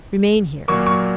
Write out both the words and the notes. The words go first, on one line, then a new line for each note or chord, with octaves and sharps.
Remain here.
A#2 F#3 A#3 C#6
C#6